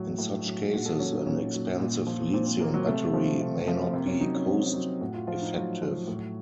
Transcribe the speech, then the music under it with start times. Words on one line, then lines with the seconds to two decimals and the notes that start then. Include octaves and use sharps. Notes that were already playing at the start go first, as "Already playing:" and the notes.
In such cases, an expensive lithium battery may not be cost-effective.
Already playing: A2 F#3
0.19 A2
0.47 F#3
0.73 A#2 F#4
0.86 A4
1.00 F#3 C#4
1.13 D#4
1.26 A#2 C#4
1.53 F#3
1.80 A#2
2.07 F3
2.33 A#2 C4
2.46 C4
2.60 F3 A#3
2.74 F#3
2.87 C3 A3
3.14 F3
3.40 C3
3.68 F3
3.93 C3 A#3
4.07 C#4
4.20 F#3 D#4
4.34 C#4
4.47 C3 C4
4.74 F#3
5.01 A2 F#4
5.14 F4
5.27 F3 F4
5.41 D#4
5.55 A2 F#3
5.82 F3
6.08 A2